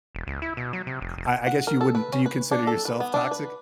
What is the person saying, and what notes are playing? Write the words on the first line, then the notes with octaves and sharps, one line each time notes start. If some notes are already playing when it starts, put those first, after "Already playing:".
I I guess you wouldn't do you consider yourself toxic?
E1
C#2
E4
B2
F#3
C3
F1
F1
F#5
A#4
A4
B4
C#4
B4
D4
A4
B4
B3
D4
B4